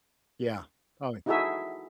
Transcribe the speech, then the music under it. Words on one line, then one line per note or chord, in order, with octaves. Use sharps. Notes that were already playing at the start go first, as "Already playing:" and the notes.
Yeah, probably.
D#4 E4 F#4 G#4 A4 E5